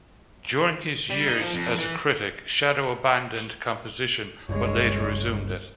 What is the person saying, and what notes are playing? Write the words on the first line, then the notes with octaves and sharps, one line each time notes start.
During his years as a critic, Sandow abandoned composition, but later resumed it.
G3
D#4
F3
F2
E3
G1 C#2 G2 G#3 C#5